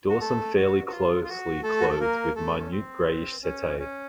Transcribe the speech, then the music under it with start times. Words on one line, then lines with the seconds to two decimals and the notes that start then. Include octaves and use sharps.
Dorsum fairly closely clothed with minute greyish setae.
0.09 F#4
0.20 A3 A4
0.56 F#4
0.86 F#4
0.91 F4
1.24 F4
1.28 F#4
1.63 A3 A4
1.80 F#4
1.89 A4
2.00 A#3 A#4
2.35 A3 A4
2.59 C#4
2.71 C4
3.43 C#4
3.79 C#4